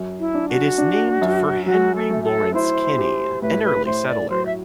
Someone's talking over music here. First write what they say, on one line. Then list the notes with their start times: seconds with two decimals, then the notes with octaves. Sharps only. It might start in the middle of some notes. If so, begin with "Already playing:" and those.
It is named for Henry Lawrence Kinney, an early settler.
Already playing: F#2
0.20 E4
0.34 D4
0.49 F#4
0.78 D4
1.21 F#2
1.66 F#3 F#4
1.95 A4
2.10 A3
2.24 A4
2.54 E4 C5
2.97 G4
3.42 A2 B4
3.64 B4
3.85 A2 C5
4.08 D5
4.30 F#3 C5
4.46 E5